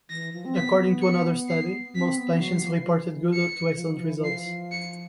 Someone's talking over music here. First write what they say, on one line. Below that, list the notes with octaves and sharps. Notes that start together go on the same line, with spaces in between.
According to another study, most patients reported good to excellent results.
E3 A#6
F3
C4
B3 B6
C#7
C7
C4 B6
B3
F#3 C7
G3
F#3
F3
E3
F3
E3
C#7
E3
F3
F3
E3
E3
F3 C7
C#7